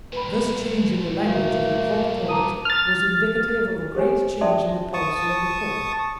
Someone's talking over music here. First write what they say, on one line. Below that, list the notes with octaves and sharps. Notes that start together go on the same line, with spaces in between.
This change in the language of the court poet was indicative of a great change in the policy of the court.
G2 A#2 B4 B5
A3 A#3 F#4
A5 A#5 D6 D#6
F6 A6
G4 C5 C#5 G#5
C#4 D5 E5 A5 C6
A5 C#6 D#6